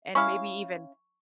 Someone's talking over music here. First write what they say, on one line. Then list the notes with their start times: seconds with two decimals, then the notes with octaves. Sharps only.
and maybe even
0.15 C#4 E4 F5 C#6